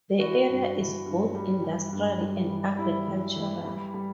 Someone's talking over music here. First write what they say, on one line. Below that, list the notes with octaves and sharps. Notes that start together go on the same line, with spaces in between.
The area is both industrial and agricultural.
E3 F#4
G2
E3
G2
G3
G3
G2
G3
E3
G3 E4
E3
E3
G3
G3